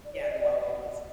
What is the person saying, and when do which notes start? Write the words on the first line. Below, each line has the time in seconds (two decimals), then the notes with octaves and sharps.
Yeah, the Wild Wild West.
0.05 D5
0.12 C#5
0.20 D5
0.30 D#5
0.38 D5